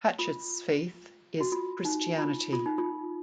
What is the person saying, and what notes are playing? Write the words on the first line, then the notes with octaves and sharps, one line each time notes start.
Hatchett's faith is Christianity.
F4
F#4
F4
D#4
F4
F4
D#4
F4